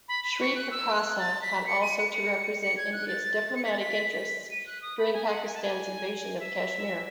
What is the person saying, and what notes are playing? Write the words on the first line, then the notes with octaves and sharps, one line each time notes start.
Sri Prakasa had also to represent India's diplomatic interests during Pakistan's invasion of Kashmir.
B5
B5
C#6
F#6
E6
F#6
A6
B6
C#7
D#7
C#7
C#7
G#6
F#6
A6
C#7
B6
A6
B6
D#7
F#6
D#6
B5
G#5
E5
F#5
G#5
A5
G#5
E5